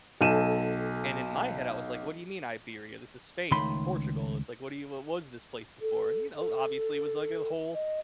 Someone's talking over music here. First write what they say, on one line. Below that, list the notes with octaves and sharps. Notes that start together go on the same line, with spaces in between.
and in my head I was like, "What do you mean Iberia? This is Spain, Portugal." It's like, "What do you what what was this place before?" you know, obviously it was like a whole
B1 A4 D#7 E7
C#2 D#3 A3 B5 C6
A4
A4
D#5